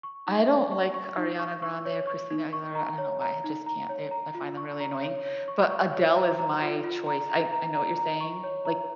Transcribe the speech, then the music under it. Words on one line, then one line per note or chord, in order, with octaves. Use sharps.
I don't like Ariana Grande or Christina Aguilera, I don't know why, I just can't, they I find them really annoying, but Adele is my choice, I c I know what you're saying, like,
C#6
D#4
C#6
C#6
C#6
D#4
C#6
C#6
C#5
C#6
D#4
C#6
A#5
C#5
A#5
D#4
A#5
C#5
A#5
F4
C#6
A#5
C#5
C#5
C#6
C#6
C#5
A#5
A#5
F4
F4
A#5
A#5
A#5
A#5
A#5
C#6
C#5
A#5